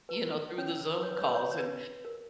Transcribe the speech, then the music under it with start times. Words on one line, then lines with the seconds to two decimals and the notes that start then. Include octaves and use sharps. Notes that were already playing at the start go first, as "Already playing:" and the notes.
you know, through the Zoom calls and
0.09 B4
0.22 A#4
0.58 C#4 C#5
0.95 B4
1.03 C#5
1.11 B4
1.18 C#5
1.26 B4
1.35 C#5
1.42 B4
1.51 C#5
1.58 B4
2.05 A#4